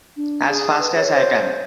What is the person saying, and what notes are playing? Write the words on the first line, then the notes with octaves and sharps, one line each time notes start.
As fast as I can!
D4
G#4
B4
C#5
C5
C5